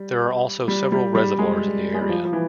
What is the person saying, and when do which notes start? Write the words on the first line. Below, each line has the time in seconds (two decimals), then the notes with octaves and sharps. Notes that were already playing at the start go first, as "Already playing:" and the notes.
There are also several reservoirs in the area.
Already playing: G3
0.68 G3
0.92 G3
1.15 G3
1.39 G#3
1.94 G#3
2.02 G3
2.09 F3
2.25 F3
2.33 E3